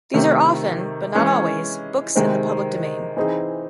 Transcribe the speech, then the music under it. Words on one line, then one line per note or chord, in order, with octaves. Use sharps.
These are often, but not always, books in the public domain.
C3 D#3 A3
E3 G#3 C#4 G#4
C3 D#3 G#3 C4
E3 C4 D#4 G#4